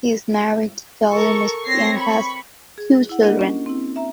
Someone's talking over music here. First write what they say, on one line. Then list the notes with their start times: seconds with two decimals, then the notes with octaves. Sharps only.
He is married to Dolly Misri and has two children.
1.12 A4 A#4 C#6
1.66 C4 C#5 A#6 C7
1.97 B5 C#6
2.78 G#4
3.09 E4 F#5
3.23 A#3 D4 G4 A#4 D#5 F#5
3.39 C#4
3.66 C4 E4
3.96 E5 A#5